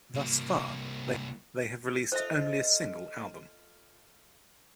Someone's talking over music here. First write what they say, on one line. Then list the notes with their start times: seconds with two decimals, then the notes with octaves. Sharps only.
Thus far they have released only a single album.
0.14 C2 A#3
2.12 F4 A4 C5 D#5 E5